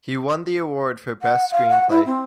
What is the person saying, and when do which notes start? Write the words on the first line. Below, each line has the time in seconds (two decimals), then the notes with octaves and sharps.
He won the award for Best Screenplay.
1.22 F#5
1.52 F5
1.69 F#5
1.89 E4
2.05 C4